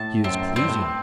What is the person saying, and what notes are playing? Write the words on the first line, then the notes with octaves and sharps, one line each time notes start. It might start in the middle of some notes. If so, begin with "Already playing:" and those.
He is pleasing.
Already playing: A2 A5
F#2 C4
G2 C4
A2